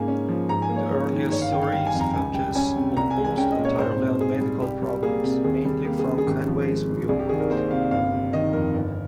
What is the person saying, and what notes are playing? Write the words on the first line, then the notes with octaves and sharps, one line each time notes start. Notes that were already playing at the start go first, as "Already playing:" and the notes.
The early stories focus almost entirely on medical problems, mainly from Conway's viewpoint.
Already playing: G#2 C#3 A#3 G#5
C#4
F3
G#2 A#5
G#5
A#3
C#5
G#2
D#3
G1 C#5
F5
D#3 G5
F5
G3 G5
G#5
F2
A#5
C#2 G#5
G3 G5
C#4 G#5
C3
C2 A#5
G#5
G#3
G#5
C#4 G5
D#5
A#2
C#5
G#2 C5
C4
G#2 G#4
G3
C2 G4
G3
A#3 G#4
C3
D#2 G#4
G3
A#3 G4
G#4
C#3
G#4
G#1 G4
F3
G#3
G2
C2 G#4
G4
D#3 G#4
A#4
A#3 C5
C3 F5
G1 F5
C3
D#3 D#5
F2 A#4
G1